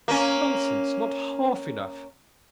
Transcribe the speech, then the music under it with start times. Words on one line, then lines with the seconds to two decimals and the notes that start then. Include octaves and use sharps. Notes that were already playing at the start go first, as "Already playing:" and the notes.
'Nonsense! not half enough.'
0.08 A#3 C#4